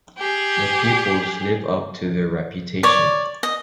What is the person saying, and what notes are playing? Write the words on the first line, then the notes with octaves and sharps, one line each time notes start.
The pupils live up to their reputation.
G4 G#4
C#5 D5
D#5